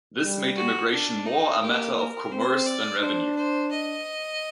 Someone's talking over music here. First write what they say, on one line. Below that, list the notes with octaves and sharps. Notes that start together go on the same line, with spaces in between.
This made immigration more a matter of commerce than revenue.
G3
F#4
D4
D#4
A#3 G4
A#4
C4 C5
D5
D4 C5
C5
D#5